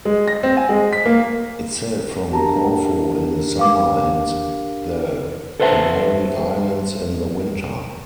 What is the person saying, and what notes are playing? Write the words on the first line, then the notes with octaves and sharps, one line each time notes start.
It sailed from Corfu in the summer and the Canary Islands in the winter.
G#3
A#6
C4
G#5
G#3
B6
A#3
D4 F#4 G4 A#4 A5 A#5
F5 D6
A4 B4 C5 E5 F5 A5